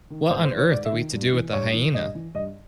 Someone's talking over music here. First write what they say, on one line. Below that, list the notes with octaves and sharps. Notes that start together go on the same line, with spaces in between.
What on earth are we to do with the hyaena?
D#3
G#2 C5
C5
D#3
C#5
G#2 D5
E5
D#3
G2
E3
G2 C#5
E3
G2 D#5
E3
G2 D#5